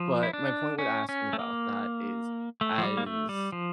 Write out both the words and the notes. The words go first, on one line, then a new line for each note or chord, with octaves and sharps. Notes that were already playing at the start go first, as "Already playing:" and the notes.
but my point with asking about that is, as
Already playing: F3
E4
D4
C#4
C#4
A3
A#3
A3
F3
G3
A#3
A3
G3
F3